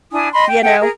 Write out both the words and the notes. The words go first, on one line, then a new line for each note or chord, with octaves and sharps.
you know?
D4 E4 G#5 D#6
D#5 B5 C6
G5
A4 E5 F#5 G5
G#4 A#4